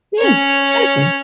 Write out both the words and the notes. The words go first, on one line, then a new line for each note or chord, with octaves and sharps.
Yeah, exactly.
C#4 C#5